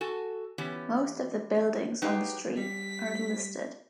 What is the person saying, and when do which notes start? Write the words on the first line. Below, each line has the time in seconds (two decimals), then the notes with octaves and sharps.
Most of the buildings on the street are listed.
0.01 F#4 A4 G#5
0.58 E3 B3 C#4 G4
2.02 F#3 D#4 G4 G#4 B4
2.57 G3 B6